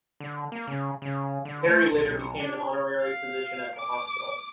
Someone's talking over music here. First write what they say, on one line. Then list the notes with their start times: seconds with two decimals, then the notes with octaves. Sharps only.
Perry later became an honorary physician at the hospital.
0.20 D3
0.52 A#3
0.68 C#3
1.02 C#3
1.45 D3
1.67 A3
1.92 A#1
2.06 B1
2.40 D4
3.01 F5
3.75 D6